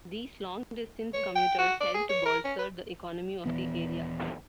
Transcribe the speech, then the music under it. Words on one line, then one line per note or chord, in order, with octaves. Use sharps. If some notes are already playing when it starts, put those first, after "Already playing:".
These long-distance commuters helped to bolster the economy of the area.
C#5
G5
F#4
D5
G#4
C#5
A#4
C#4
B4
D#1 E3 B3